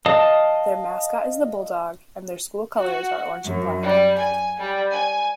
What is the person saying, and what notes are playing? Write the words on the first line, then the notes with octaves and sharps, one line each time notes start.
Their mascot is the bulldog, and their school colors are orange and black.
D#5 F5 A5 D#6
F#4
F#2
G3
G#5
G3
G#5